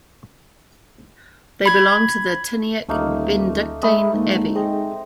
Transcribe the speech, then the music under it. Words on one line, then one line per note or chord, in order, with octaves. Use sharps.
They belonged to the Tyniec Benedictine Abbey.
B5 G#6
D#1 D2 A3 A#3 D#4
G#3 A3 E5 B5 D#6
D2 G#2 A#3
C4 G#4 D#5